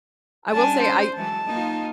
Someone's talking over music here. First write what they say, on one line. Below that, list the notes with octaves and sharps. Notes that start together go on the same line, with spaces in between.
I will say I
G3 C#4 D4 G#5 A5
C5
E3 F#3 G#3 A5
A#3 D#4 F4